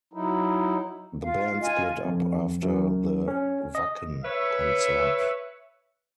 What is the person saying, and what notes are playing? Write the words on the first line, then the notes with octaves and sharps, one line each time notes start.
The band split up after the Wacken concert.
F#3 D#4 E4
F4 F5
F4 D#5 G#5
F2
F#2
C#4
D#5
B4 C#5 E5